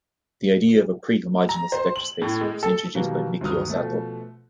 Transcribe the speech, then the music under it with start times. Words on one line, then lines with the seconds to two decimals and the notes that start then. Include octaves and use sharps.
The idea of a prehomogeneous vector space was introduced by Mikio Sato.
1.49 A#5
1.72 C5
1.96 F#7
2.22 A2
2.41 G#3
2.63 A4
2.95 B2 D#3 F#3 G3 A#3
3.41 D2 G2 D#3 F#3 D#6 F6
3.70 B2 F3 A3